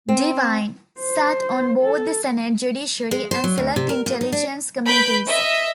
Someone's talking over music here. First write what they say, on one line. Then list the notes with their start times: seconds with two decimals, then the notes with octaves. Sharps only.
DeWine sat on both the Senate Judiciary and Select Intelligence committees.
0.09 C4
1.00 C5
1.81 A4
3.11 G#3
3.31 C5
3.44 F#3
3.58 D2
3.76 C3
3.89 A#4
4.06 A#2
4.21 D#4
4.32 D4
4.87 B4 B5 G6 D7
5.27 D#5 E5